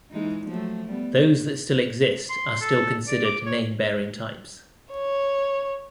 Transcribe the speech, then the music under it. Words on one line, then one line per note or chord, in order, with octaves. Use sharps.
Those that still exist are still considered name-bearing types.
E3 G#3 D#4
F3 F#3 A3
G3 B3
C6
A4
D5
D6
C#5
C#5